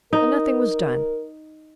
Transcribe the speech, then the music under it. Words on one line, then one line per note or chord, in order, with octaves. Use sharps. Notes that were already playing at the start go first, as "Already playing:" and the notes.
So nothing was done.
D#4 A#4